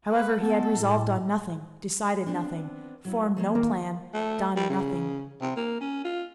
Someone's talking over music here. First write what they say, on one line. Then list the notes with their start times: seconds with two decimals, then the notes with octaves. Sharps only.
However, he had resolved on nothing, decided nothing, formed no plan, done nothing.
0.12 B4
0.41 B3 A4
0.75 A2
2.26 B3 C4 D4
3.05 F#3 E4
3.37 F3 G#3 A#3
3.55 D#3 A#3
4.14 A3
4.57 G3
4.70 C#3
5.41 C3
5.57 A#3
5.81 C#4
6.05 F4